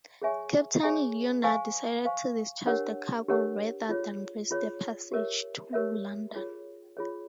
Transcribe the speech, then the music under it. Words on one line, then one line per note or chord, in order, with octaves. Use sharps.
Captain Leonard decided to discharge the cargo rather than risk the passage to London.
G#4 C#5 E5 G#5 C#6
G#4 C#5 E5 G#5 C#6
C5 F5 G#5 C#6
C5 F5 G#5 C#6
D4 G4 A#4 C#5 F#5
D4 G4 A#4 C#5 F#5
F4 G#4 C#5
F4 G#4 C#5
G4 A#4 C#5 E5
G4 A#4 C#5 E5
F4 G#4 C#5
F4 G#4 C#5